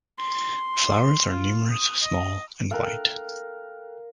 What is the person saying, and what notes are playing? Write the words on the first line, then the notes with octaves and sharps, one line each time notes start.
Flowers are numerous, small, and white.
C6
F4
D#6
D#5
A4 A#4 F5 G5 F#6